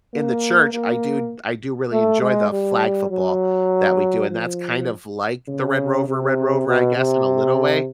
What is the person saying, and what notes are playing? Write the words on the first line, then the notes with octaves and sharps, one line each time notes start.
in the church, I do I do really enjoy the flag football that we do, and that's kind of like the Red Rover Red Rover, I guess, in a little way.
A#3
A#3
A3
G#3
G3
F#3
F3
C#3
C3
B2
C3